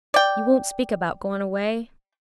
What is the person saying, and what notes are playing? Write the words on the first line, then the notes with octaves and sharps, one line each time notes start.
You won't speak about goin' away?'
D5 G5